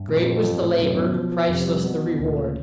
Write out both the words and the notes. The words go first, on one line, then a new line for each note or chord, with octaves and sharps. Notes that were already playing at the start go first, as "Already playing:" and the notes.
Great was the labour; priceless the reward.
Already playing: G2
F2 A#2
C4
E3
A2
F#2 B2
B2
F3
F3
F2 C3
G3
B2 B3
E3
D2 A#2
C#3